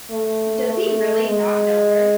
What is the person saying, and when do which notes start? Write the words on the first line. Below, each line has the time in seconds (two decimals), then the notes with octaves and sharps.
Does he really not know her.
0.10 A3
0.68 A3
1.26 G#3